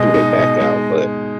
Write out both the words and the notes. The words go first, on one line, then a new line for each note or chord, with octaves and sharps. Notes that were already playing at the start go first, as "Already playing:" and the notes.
threw they back out, but,
Already playing: B2 G#3 D#5
D#4
B2
G#3